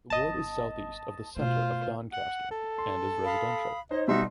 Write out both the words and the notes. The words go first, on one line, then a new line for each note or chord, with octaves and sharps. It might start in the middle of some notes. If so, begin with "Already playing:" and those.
The ward is to the southeast of the centre of Doncaster and is residential.
G1 D#5 A5
B2 A3 F4 C5
F#5
A4
C6
F5 B5 D#6
D#4 C5 C#5 D#5
B2 G3 D#4 F#4 E5 C6